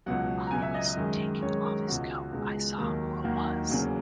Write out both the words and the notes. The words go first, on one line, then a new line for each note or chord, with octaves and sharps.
While he was taking off his coat I saw who it was.
C#2 B2 F#3 F#5
A#5
C#2 B2 F#3 G#5
E5
D#5
D#5
F#2 D#3 G#3
F#2 D#3 G#3 C#5
A#4
C#2 B2 G#3 F#4
C#2 B2 G#3
D#2 D#3 F#3 A#3
D#2 D#3 F#3 A#3 F#4
E2 C#3 F#3 A#3